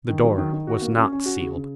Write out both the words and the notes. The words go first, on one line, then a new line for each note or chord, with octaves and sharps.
The door was not sealed.
D#3
F#3
D#3
D#3
F#4
A#3
C#4
C#4
F#4
C#3
C#3